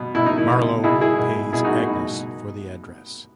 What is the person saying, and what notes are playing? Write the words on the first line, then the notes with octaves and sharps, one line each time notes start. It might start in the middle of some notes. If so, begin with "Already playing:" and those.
Marlowe pays Agnes for the address.
Already playing: B2
B2 E4
D#4
E4
B2
B2 E4 G#4
E4 G#4
B2
B2 E4 G#4
D#4 F#4
B2